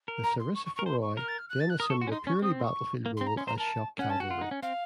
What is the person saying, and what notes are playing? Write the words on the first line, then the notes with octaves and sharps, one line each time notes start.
The "sarissaphoroi" then assumed a purely battlefield role as shock cavalry.
A#4
A#5
C6
C#6
C#6
C#6
A#4
C5 C6
C#6
A#4 F6
A6
F6
F#6
A6
F#6
A#4 D#6
A4 C#6
F#4 C6
C#4
D#4 C6
C#4 C#6
C4 D#6
C6
C#6
A#3
C6
C4
A#5
C#4 C6
C5 A#5
A#4 A5
C#4 F#5
A5
F#4 F#5
F4
D#4
C#4
C4 F5